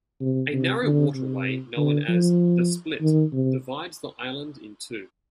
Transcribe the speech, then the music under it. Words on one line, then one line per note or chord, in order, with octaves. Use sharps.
A narrow waterway known as "the Split" divides the island in two.
C3
C3
D3
C3
D3
F3
D#3
C3